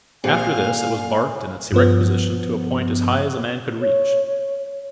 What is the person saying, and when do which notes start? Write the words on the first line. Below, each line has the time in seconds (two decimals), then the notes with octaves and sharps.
After this it was barked in its erect position to a point as high as a man could reach.
0.24 A#2 C4 G4 G#4 F5 G#5
1.72 G2 F3 B3
3.81 C#5